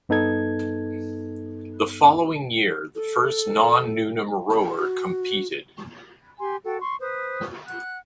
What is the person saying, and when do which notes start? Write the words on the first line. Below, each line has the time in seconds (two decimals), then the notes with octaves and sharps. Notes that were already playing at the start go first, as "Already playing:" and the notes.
The following year, the first non-Newnham rower competed.
0.09 G2 B3 D#4 A4 G#6
2.95 A4
4.78 F#4
6.39 G4 G#5 C6
6.65 F#4 A4 G5
6.81 C6 C#6
6.99 B4 C5 D#6
7.67 F#5 F#6